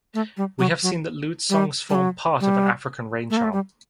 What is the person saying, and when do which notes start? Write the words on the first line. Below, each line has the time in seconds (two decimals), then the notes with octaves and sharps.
We have seen that lewd songs form part of an African rain charm.
0.14 A3
0.37 G3
0.59 F#3
0.83 F#3
1.50 G3
1.89 G3
1.95 F#3
2.41 G3
3.30 A3
3.37 A#3
3.44 A3
3.53 G3